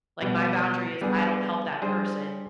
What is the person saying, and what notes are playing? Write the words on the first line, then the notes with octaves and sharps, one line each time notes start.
Like, my boundary is I don't help that person,
B2 G3 B3
G3 B3 D4 G#4
G3 D4 G#4 C5